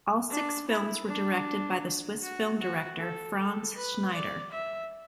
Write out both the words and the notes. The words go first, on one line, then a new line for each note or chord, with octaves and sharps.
All six films were directed by the Swiss film director Franz Schnyder.
D4
E4
D4
F#4
F#4
A4
A4
B4
D5
E5